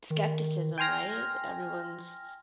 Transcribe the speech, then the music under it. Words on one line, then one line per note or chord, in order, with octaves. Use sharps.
skepticism, right, everyone's
D#3
G5 G#5 C6 F6 A#6